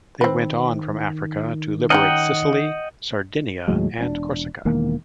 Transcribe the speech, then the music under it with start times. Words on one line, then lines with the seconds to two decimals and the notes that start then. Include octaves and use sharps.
They went on from Africa to liberate Sicily, Sardinia, and Corsica.
0.21 D#3 C4 B4
1.90 C#4 D#4 G4 D#5 F#5 G5
3.68 D#2 A2 F#3 G#3
3.98 E1 C#4 D4
4.65 E1 D#3 A#3